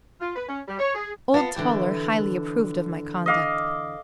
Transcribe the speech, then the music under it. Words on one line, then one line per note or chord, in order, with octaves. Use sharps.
Old Toller highly approved of my conduct.
F4
B4
C#4
G3
C#5
G#4
B3 F4 F5 A5
D3 E3 G4
D#5 F5 D6